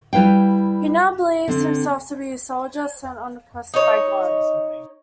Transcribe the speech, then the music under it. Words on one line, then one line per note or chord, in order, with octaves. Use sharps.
He now believes himself to be a soldier sent on a quest by God.
G3 E4 B4 F5 G5
D3 C4
D#4 C#5